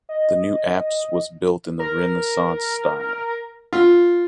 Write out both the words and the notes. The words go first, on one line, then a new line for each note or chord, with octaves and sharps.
The new apse was built in the Renaissance style.
D#5
A#4
F4